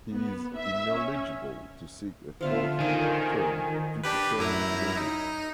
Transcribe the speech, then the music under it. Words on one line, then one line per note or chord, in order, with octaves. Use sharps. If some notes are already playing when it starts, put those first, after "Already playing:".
He is ineligible to seek a fourth term, due to term limits.
B3
E5
C#4
D3 F3 B3 F4 E5 F5
D#3 A#4 C5 D#5 G#5
D4 G4 B4
F#2 E4 A#5
D#4